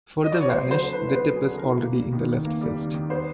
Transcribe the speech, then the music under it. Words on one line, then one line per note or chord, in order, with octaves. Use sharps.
For the vanish, the tip is already in the left fist.
D#5
D5
C#5
B3 C5
F#3
C5
D3
B4
E4
C5
B3 B4
F#3
G#4
D3
A#4
E4
A#3
G3
D#3
D#3
A#3
G3
D#3
D#3
B3 C5